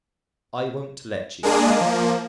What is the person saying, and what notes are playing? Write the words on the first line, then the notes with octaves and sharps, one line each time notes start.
I won't let you.
G#3 A#3 D4 G#4
F3 A#3